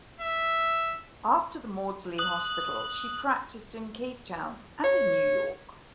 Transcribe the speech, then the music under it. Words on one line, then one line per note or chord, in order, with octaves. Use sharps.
After the Maudsley Hospital she practised in Cape Town and in New York.
E5
D#6 F#6 F#7
C#5